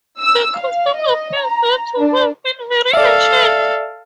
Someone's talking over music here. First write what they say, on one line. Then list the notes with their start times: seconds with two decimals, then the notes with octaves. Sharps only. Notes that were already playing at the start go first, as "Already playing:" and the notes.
The custom appears not to have been very ancient.
0.20 E6
0.59 F5
0.96 D#5
1.40 A#5
1.99 D4
2.94 A4 D5 E5 F5